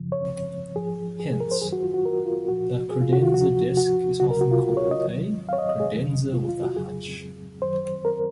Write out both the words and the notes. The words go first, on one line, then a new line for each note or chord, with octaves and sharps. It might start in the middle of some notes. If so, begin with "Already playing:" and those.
Hence, the credenza desk is often called a "credenza with hutch".
Already playing: F#2 C#3 F3
C#5
G#2 F3 G#4
G#4
G#4
A#4
C5
F#2 D#3 F#3 G#4
F#4
F4
F#4
A#4
F4
C2 A#2 F3 F#4
G#4
F4
F#4
F4
D#2 C#3 F3 F#4
F#4
C#2 C#3 F#3 F#4
A#4
F#4
F4
C#5
D#5
D#2 D#3 F#3
F5
C#5
D#5
D#5
G#4
F2 D#3 F#3
F4
F4
F#4
F2 C#3 F#3 G#4
F#2 D#3 F#3 C5
A#4